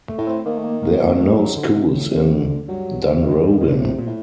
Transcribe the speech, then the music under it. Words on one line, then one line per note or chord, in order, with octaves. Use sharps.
There are no schools in Dunrobin.
A3
A2
C4
D#3 A#3
A3
A#3
A#3
A#3
A3
F#3
D3
C3
A2
C3
D3
G2 F#3
F#2 D#3
G2
D3
A2 D#3
D3
A2 C3
A#2
A2